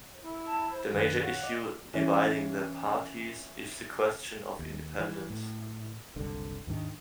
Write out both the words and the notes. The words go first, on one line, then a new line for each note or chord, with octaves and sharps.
The major issue dividing the parties is the question of independence.
E4
A5
C5
F#2 D#3 D4 B4 F5
C#5 F5 F#5
D5 D#5
E3 C#4
D#2
E3
A2
F#1 C2 D3
D#2 G#2 D#3 D4